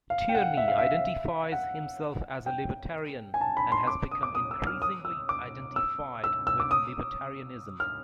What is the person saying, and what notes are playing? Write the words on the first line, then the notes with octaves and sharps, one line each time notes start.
Tierney identifies himself as a libertarian and has become increasingly identified with libertarianism.
F5
G5
F#5
E5
F5
E5
F#5
G5
G#5
A5
B5
C6
D6
D#6
D6
D#6
E6
F6
D#6
E6
D6
E6
E6
E6
D6
D#6
F6